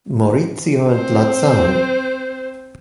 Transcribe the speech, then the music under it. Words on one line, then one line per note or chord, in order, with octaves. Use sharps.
Maurizio and Lazzaro.
C4 C5